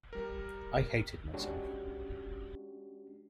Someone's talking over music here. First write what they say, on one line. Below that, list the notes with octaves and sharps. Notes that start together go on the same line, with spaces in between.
I hated myself.
G3 A#4
G#3 C#4 D4 F#4 G4